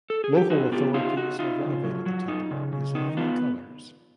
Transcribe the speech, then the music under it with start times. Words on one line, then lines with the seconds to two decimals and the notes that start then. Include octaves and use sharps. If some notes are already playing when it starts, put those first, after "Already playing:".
Local authorities have renovated the temple using many colours.
0.10 A4
0.24 G#4
0.37 G4
0.50 D#4 F#4
0.72 B3 F4 G4
0.94 D#4 F4 G4
1.17 D#4 F#4
1.39 D#4 F4
1.61 C#3
1.84 F#3
2.06 F#3
2.28 D#4
2.51 C#3
2.73 C#3
2.95 D#4
3.17 B3 F4